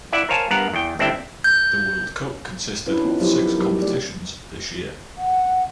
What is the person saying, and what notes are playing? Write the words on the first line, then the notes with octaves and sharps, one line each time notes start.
The World Cup consisted of six competitions this year.
E4 D5 E5 F#5
A#4 C5 C#5 F5 G#5 A5
G2 B3 A#4 F5 F#5 A#5
E2 G5
G1 C4 D4 E4 E5 G5
G6
C#4 D4 E4 B4
B3 D#4 F4
F3 F#3 B3 E4 G4 C5
A4 A#4
F#3 B3 D#4 G4
A3 G4 D5
F#5